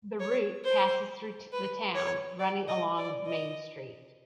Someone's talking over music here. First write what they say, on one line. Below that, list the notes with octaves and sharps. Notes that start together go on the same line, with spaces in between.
The route passes through the town, running along Main Street.
C#5
C5
B4
C#5
D5
D#5
D5
D#5